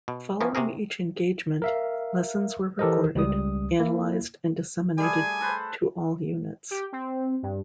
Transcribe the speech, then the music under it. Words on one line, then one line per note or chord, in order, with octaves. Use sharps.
Following each engagement, lessons were recorded, analyzed and disseminated to all units.
B2
E3 F3 A#3 B3 C#4
C3 F#4 G#4 A#4
A#4 E5 F5
E3 G4 A4 A#4 C5 D#5
C#2 G3 D#6
A#3 E4
G3 A3 G#4 G#5
A4 B4 C5
G4
C4
G2